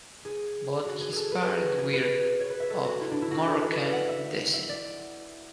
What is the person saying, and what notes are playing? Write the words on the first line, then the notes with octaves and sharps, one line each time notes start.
Both his parents were of Moroccan descent.
G#4
F#4
G#4
G#4 A4
B4
G#4
F#4
G#4
B4
C#5
B4
E5
A4
F#4
E4
D4
E4
F#4
A4
B4
D5
E5
F#5
E5
E5
D5